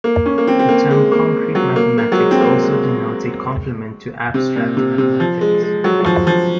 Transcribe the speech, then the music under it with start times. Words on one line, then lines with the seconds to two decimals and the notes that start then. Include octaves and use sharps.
The term "concrete mathematics" also denotes a complement to "abstract mathematics".
0.04 A#3
0.26 C#4
0.38 A#3
0.47 C4
0.59 C4
0.69 A#3
0.91 G#3
1.12 A#3
1.55 F#3
1.76 A#3
1.98 A#3
2.12 F#3
2.19 G#3
2.31 C4
2.41 A#3
2.62 G#3
4.34 C3
4.56 A#2
4.77 C3
4.98 C3
5.20 F3
5.41 G#3
5.63 G#3
5.84 F#3
6.00 F#3
6.06 F3
6.27 F3